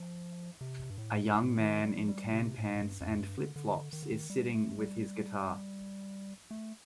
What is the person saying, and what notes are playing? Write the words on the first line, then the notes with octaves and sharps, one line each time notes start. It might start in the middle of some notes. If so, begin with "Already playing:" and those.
A young man in tan pants and flipflops is sitting with his guitar.
Already playing: F3
C3
G2
A2
A2
D#3
G3
F3
G3
C3
A2
A2
G2
F2
G2
D3
D3
D#3
D3
D#3
G3
A3
G3
A3